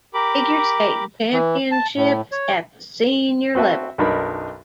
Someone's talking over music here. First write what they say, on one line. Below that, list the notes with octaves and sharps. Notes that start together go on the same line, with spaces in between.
Figure Skating Championships at the senior level.
G4 A#4 B5 D6
E3
A5
A2
C#5
C4 F#4 B4 E5 A5
B1 F#2 D4 D#4 A#4 B5